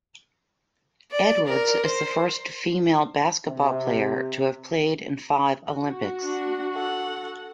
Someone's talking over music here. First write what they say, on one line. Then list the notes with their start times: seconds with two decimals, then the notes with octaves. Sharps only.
Edwards is the first female basketball player to have played in five Olympics.
1.12 D5
1.47 A#4
1.85 C5
3.47 C3
5.69 F#4
6.24 D4 F#5
6.75 A4 F#5